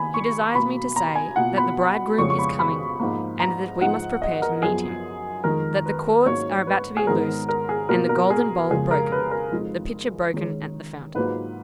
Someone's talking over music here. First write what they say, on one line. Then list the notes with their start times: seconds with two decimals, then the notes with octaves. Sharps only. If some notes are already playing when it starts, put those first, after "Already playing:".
He desires me to say that the Bridegroom is coming, and that we must prepare to meet him; that the cords are about to be loosed, and the golden bowl broken; the pitcher broken at the fountain.'
Already playing: D#3 A#3 D#4 G#5 B5
0.14 C#6
0.55 B2 F#3 A#3 B5
0.96 A#5
1.15 G#5
1.36 B2 A#3 F4 F#5
1.57 B5
2.18 F2 C#3 G#3 C#4 C#6
2.30 C#6
2.39 B5
2.59 B5
3.00 G#2 F3 A#3
3.40 A#5
3.81 G#2 F3 G#3 D#4 F#5
4.22 D#5
4.42 A#4
4.63 F#2 F3 B3 F4 G#4
5.44 F2 D#3 G#3 D#4 A#4
5.86 B4
6.26 G#2 F#3 A#3 C#4 C#5
6.67 B4
6.97 G#4
7.07 G#2 D#3 G#3 B3 A#4
7.49 A#4
7.69 G#4
7.89 B2 F#3 A#3 F4 A#4
8.09 A#4
8.30 G#4
8.70 F2 C#3 G#3 G#4
8.91 A#4
9.12 B4
9.31 A#4
9.52 F2 F3 G#3 D#4
10.34 D#3 G#3 C#4
11.15 G#2 F#3 A#3 F4 B4